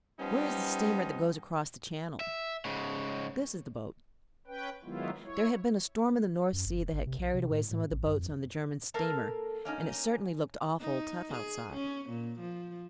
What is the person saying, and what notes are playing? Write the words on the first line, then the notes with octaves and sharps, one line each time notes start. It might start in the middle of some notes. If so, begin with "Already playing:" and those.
'Where is the steamer that goes across the Channel?' 'This is the boat.' There had been a storm in the North Sea that had carried away some of the boats on the German steamer, and it certainly looked awful tough outside.
F3 G3 B3 C#4 D#4
E5
G#2 C#3
C#4 B4 G5
D#3 F#3 G#3 B3 E4 F4
E4 C#5
F#2
G1
E1
G#1
C3
B1
C3
A2
A2
A1
G2
F2
A#3 A4 A#4
A#3 C#4 D#4
D#4
G#4
C#4
A#2
F3